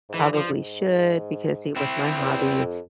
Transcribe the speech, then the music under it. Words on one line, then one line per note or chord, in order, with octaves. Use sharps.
probably should because, see, with my hobby,
G#2 E3
G2
F3
G2
G#2
C4 E4
E2
E2
F2